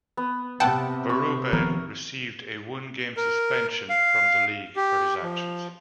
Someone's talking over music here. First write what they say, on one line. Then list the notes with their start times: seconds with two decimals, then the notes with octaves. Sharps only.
Berube received a one-game suspension from the league for his actions.
0.17 B3
0.60 C3 B3 E5 F#5 G5 A5
1.09 B5 C#6
1.53 D#3 F3 B3 A#4
3.17 A#4
3.89 F5
4.76 G4
5.22 F3